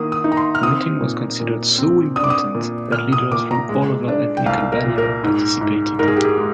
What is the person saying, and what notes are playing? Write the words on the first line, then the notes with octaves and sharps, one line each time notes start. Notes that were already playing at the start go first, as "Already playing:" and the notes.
The meeting was considered so important that leaders from all over ethnic Albania participated.
Already playing: D#3 A#3 D#6
D#6
D#4
A#5
C6
F6
C4 D#6
A#2
A#2
C4
D4 D#6
D6
D#6
A#2
A#2 F6
D#6
A#2 D6
A#5
G#3
D4
G5
C2 F5
A#4
A#2
A#4
G#2
G#2
G#2 A#4
G#4
G4
G#4
G#3